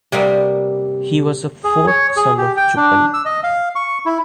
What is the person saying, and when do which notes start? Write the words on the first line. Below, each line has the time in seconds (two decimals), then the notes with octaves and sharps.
He was the fourth son of Chupan.
0.12 C3 G3 A#3 B3
1.64 G#4
1.87 C#5
2.17 G#4
2.38 G4
2.57 G5
2.76 D4
3.14 E6
3.25 D#5
3.44 F5
3.75 C#6
4.06 E4